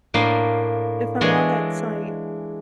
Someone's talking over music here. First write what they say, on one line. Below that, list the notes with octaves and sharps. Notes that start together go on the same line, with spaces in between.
if I'm on that site,
A2 A#3 D4 F5
E3 G#3 D4 G#4 C#5 D#5